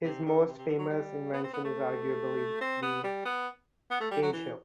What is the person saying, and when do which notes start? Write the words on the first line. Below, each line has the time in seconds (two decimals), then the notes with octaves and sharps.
His most famous invention is arguably the "Cage Heel".
0.04 C3
0.26 D3
0.47 C3
0.57 C3
0.68 D3
0.78 F#3
0.90 G3
1.33 B3
1.44 C4
1.53 B3
1.64 A3
2.61 C4
2.82 B3
3.04 G3
3.25 B3
3.90 B3
4.00 A3
4.11 G3
4.22 F#3
4.33 E3